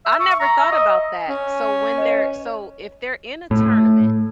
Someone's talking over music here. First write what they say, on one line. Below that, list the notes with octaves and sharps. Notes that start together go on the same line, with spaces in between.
I never thought about that. So when they're so if they're in a tournament,
E5
C#6
A#5
E5
D#5
C#4
B4 C#5 D#5
A2